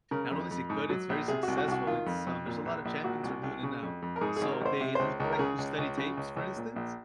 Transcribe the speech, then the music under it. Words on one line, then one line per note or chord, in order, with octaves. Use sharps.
Not only is it good, it's very successful, it's, um there's a lot of champions who are doing it now, so, they used to like to study tapes, for instance,
C#3 A#4
F2
F2
G#2
F#3
A#1
C3 G#4
C2 F#4
F#4
C2 F#4
D#3 F4
F2
F2
A#2
A#1
A#1
A#2 F#4
C2
C2
C#3
F2
F2
A#4
G#2 G#4
G#1 G#4
A#4
G#1 C5
C3
C#2 C5
C#2 A#4
A#4
C#3 G#4
C#2
C#2
C#3
C#2
C#2
A#2
A#1